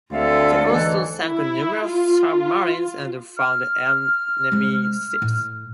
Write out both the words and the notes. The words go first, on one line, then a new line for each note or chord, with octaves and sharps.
They also sank numerous submarines and found enemy ships.
D2 C4 A4 E5 F5
G#2 E3
E4
F4
F6
C3 G#3
A2